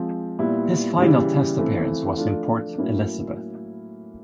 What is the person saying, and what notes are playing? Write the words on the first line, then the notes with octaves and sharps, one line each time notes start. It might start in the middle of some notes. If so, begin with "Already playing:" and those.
His final test appearance was in Port Elizabeth.
Already playing: F3 G#3 C4
A#2 G3 B3 E4
C#3 E3 G3
E3 A3 C4
F3 A3 D4 F4
A2 F#3 A#3 C#4 E4